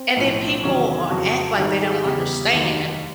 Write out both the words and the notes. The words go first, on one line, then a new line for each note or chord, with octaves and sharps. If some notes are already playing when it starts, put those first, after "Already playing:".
And then people, uh, act like they don't understand
Already playing: C4
B1 A2 F3
E2 C3 D#3 F#3 C#4
F2 C#3 F#3 F#4
G#1 G#2 D#3 G3 G4
G#4
E2 C#3 E3 G3 G4
F1 D#2 D#3 F#3